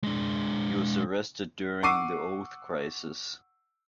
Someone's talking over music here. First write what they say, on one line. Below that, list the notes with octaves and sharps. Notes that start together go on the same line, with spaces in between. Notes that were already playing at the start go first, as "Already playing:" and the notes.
He was arrested during the Oath Crisis.
G#3 D4
F#5 C#6 D6 E6 C7 D#7